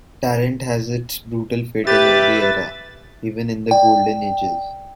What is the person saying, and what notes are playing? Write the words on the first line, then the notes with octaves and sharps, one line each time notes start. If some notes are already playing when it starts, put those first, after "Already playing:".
Talent has its brutal fate in every era, even in the Golden Ages.
G4 B4 E5 A6
D5 G5